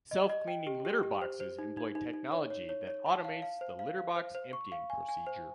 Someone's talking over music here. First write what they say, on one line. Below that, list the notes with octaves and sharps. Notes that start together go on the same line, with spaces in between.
Self-cleaning litter boxes employ technology that automates the litter box emptying procedure.
D#5
D#5
G5
G4
G4
G4
C5
C5
D#4
D#4
D#4
D#4
C#5
C#5
C#5
C#5
A5
F5
F5
C5
F5
F5
C5
C5
C#6
F5
G#5
G#5
C5